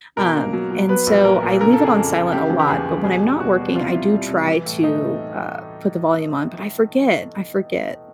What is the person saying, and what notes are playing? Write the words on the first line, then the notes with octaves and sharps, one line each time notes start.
Um, and so, I leave it on silent a lot. But when I'm not working, I do try to, uh, put the volume on, but I forget. I forget.
B2 A#4
A#3
F#3
F#3
B3 B4
A#1
A#2 A#4
A#2
C#3 A#4
A4
C#3
G#4
F2
F2
C#3 G4
E3
G4
D#2 G#4
D#2
B2 G#4
G3
B2 F#4
G3
C3 F4
C3 E4
G3
C3
E3
A2
A3 D#4